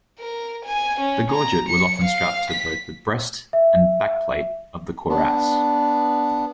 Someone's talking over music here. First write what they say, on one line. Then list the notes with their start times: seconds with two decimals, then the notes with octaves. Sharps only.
The gorget was often strapped to both the breast and backplate of the cuirass.
0.19 A#4
0.65 G#5
1.00 C#4
1.30 A#5
1.69 C#7
2.04 F5
2.51 B6
3.53 E5
5.09 B3 D4